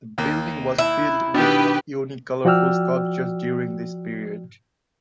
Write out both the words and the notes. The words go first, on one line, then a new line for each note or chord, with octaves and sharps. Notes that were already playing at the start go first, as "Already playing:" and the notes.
The building was filled with unique colorful sculptures during this period.
D#2 A#3
E4
B2 D#3 D4 G4 B4
F3 F#4 D5 G5 E6 F6